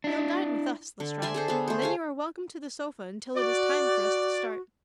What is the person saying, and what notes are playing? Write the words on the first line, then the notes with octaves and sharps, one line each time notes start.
You'll dine with us, Lestrade, and then you are welcome to the sofa until it is time for us to start.
D4 E4
D3
D5 E5 G#5 C6
G#4 A4 C5
B3 G#4
A3 C5
G#4 F5 G#5
F#4 D5